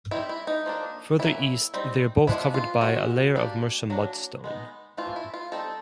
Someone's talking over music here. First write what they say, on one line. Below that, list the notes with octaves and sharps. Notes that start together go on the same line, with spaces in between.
Further east, they are both covered by a layer of Mercia Mudstone.
G3 C4 D#4 E4
E4
D#4
F3 A#3 D4
F#3 A#3 C#4 E4
G3 C4 D#4
F3 G#3 B3 D4 E4
F4
G#3 C#4 F#4
G3 A#3 D4
F#3 A#3 D4
G#3 B3 D#4
E3 A3 C4 F4
E4
F4
G3 C4 D#4 A4